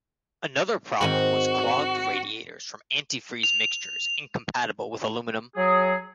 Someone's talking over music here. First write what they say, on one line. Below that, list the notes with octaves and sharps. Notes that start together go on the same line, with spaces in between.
Another problem was clogged radiators from antifreeze mixtures incompatible with aluminum.
G#2 D#3 C4 F#4
F7
F#3 G#4